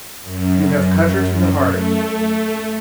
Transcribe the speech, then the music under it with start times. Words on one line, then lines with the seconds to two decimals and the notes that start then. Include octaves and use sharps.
"You have cut her to the heart."
0.22 F#2
1.64 A3